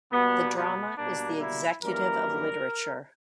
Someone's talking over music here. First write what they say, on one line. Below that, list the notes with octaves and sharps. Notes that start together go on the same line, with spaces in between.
The drama is the executive of literature.
B2 G3 A#3 B3
B3
B2 G3 A#3 D4
E4
F#2 E3 G3 A#3 A#4